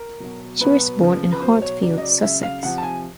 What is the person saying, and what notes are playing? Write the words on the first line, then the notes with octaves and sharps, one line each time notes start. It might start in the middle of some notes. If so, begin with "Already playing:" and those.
She was born in Hartfield, Sussex.
Already playing: A#4
B2 F#3
B2 F#3 B4
C#3 F3
B4
B2 F#3 C5
C#5
C#3 F#3 D5
D#5
D5
C#3 F#3 E5
F5
C3 F3 F#5
A5
G#5